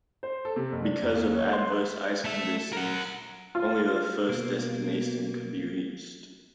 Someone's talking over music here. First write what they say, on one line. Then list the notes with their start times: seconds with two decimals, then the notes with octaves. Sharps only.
Because of adverse ice conditions, only the first destination could be reached.
0.23 C5
0.45 A4
0.56 C3
0.72 F#1
0.84 D4
1.02 F1
1.14 D#2
1.35 C#5
1.53 C6
1.70 B4
2.25 A3 E5
2.73 A#4 F#5
3.55 F4
4.29 B2 A#3